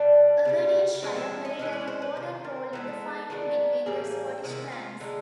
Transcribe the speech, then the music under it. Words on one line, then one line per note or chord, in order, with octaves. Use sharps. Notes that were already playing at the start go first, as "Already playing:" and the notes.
Aberdeenshire played an important role in the fighting between the Scottish clans.
Already playing: B2 G3 D4 A5
C#3 E3 G3
F3 G#3 C4 A#5
E5
D#5
E3 G#3 C#4 D#5
D5
C5
B4
C3 D#3 C5
A#4
E3 G#3 B3 A4
D#3 G#3 B3 D4
A2 E3 G3 A#3 G#4
C3 D#3 G#3 B3 E4
F4
D3 F3 G#3 D#4